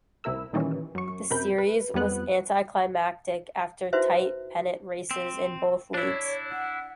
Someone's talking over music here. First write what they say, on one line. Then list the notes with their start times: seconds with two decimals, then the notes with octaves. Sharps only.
The Series was anti-climactic after tight pennant races in both leagues.
0.24 C2 C3 E4 A#4 E6
0.53 A#2 D#3 E3 G3 C#4
0.95 F#2 C#6
1.30 F#2 C3 A#4 B5 G6
1.58 B4
1.94 F2 G3 B3 F#6
3.93 D#4 E4 F#4 B4 C5 E5
5.11 C4
5.94 D4 E4 C#5
6.51 F#5